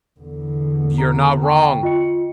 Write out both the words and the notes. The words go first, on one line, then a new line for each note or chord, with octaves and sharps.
You're not wrong.
E2 D3
A#5
G5 C#6
F4 D#5 C#7